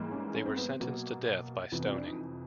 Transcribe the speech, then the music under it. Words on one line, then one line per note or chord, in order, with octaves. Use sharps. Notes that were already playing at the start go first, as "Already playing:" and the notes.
They were sentenced to death by stoning.
Already playing: G#2 E3 G3 A#3
C#4
C#4
C4
B3
C4
B2 F#3 A#3 B3
F2 C3 E3 B3
C4
D4
D#4